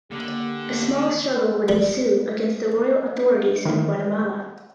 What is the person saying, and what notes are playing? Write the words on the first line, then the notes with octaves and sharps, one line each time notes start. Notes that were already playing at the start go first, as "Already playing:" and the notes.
A small struggle would ensue against the royal authorities in Guatemala.
D3 A#3 G4
G3
D#3 E3